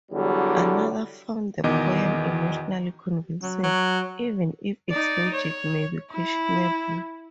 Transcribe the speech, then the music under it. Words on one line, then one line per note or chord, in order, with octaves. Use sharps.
Another found the poem "emotionally convincing" even if its logic may be questionable.
E2 D3 F#3 G3
E2 B2 D#3 D#5 D6
F#3
F#3
D#4 D5
C#5
E4